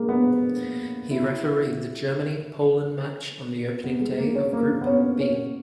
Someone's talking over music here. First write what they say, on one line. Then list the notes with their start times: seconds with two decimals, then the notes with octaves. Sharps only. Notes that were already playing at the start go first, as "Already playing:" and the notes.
He refereed the Germany-Poland match on the opening day of Group B.
Already playing: G#3 A#3
0.09 B3
1.11 E4
3.84 B3
4.01 G#3
4.18 A#3
4.35 C#4
4.53 A#3
4.81 B3
4.86 C#4
5.20 C#4